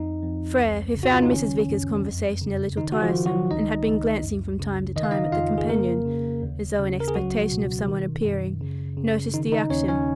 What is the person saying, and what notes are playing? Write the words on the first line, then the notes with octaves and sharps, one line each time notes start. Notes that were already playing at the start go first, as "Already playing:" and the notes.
Frere, who found Mrs. Vickers's conversation a little tiresome, and had been glancing from time to time at the companion, as though in expectation of someone appearing, noticed the action.
Already playing: F2 D#4
F2
C#2
C#3
F#4
F4
D#4
D#3 C#4
F#2
F2
C#3
D#3 D#4
F#4
F3 F4
D#3
F#3 F#4
C#2 D#4 D#5
C#2
F#2
C#3
D#3 D#5
F5
D#4 D#5
F2 F4 F5
G#4
C#3 A#3 A#4
C#3
D#2
C#3
A#4
G#4
C#2 F#3 F#4
B2
D#3
F#2
C#3
C#3
D#3 D#4
D#4
D#2 C#4 C#5
C#4 C#5